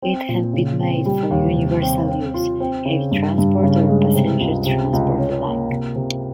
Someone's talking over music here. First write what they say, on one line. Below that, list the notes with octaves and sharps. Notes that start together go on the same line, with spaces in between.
It had been made for universal use: heavy transport or passenger transport alike.
C4
A#2
C#3
C4
G3
D#2
C3
C4
C4
F4
C4
C#3
G2
G2
C#3
G#3
C3
C#2
C3
C#2
C#4
A#3
C3
C3